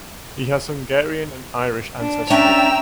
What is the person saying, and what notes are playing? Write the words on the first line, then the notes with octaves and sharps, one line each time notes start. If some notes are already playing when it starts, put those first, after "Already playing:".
He has Hungarian and Irish ancestry.
D4
C#4 D4 E5 G5 A#5 E6 F7